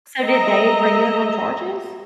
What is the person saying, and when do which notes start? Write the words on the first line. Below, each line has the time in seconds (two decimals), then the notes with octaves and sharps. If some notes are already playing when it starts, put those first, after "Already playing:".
So, did they bring it up on charges?
0.23 A4 D#5 E5 A#5